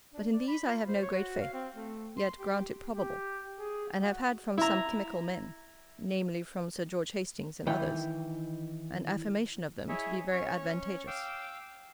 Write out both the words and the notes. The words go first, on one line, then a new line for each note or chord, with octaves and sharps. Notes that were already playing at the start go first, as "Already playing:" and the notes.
But in these I have no great faith; yet grant it probable; and have had from some chymical men, namely, from Sir George Hastings and others, an affirmation of them to be very advantageous.
D4
D5
B5
F4
C5
C#5
F#4
F5
C4
A3
C6
G4
G4
G#4
F#4
E4 A#5
D#3 E3 G5
E4 G#4 C#5 D#5 E5
C#4 C#5 C#6
F5 G5 D6 E6